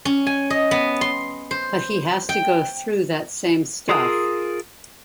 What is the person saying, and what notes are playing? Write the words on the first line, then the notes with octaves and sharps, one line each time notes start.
But he has to go through that same stuff.
C#4
G#5
D#5
B3
C6
C5
G5
F4 G#4 A#4 D#6 E6